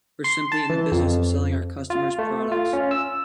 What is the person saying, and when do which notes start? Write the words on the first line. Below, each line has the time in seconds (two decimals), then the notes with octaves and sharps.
We're simply in the business of selling our customers products.
0.24 C6
0.52 A5
0.70 E3
0.92 F2
1.90 F4
2.19 A3
2.52 F4
2.73 C#4
2.91 E6